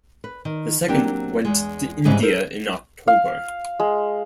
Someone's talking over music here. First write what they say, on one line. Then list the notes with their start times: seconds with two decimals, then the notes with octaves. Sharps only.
The second went to India in October.
0.24 B4
0.45 D#3
0.88 F#3 A#3 C4 D4 G4
1.45 E2 G#3
2.05 G#2 C#3 E3 G3 G#3
2.22 A4 A#4 C5
3.08 F5
3.80 G#3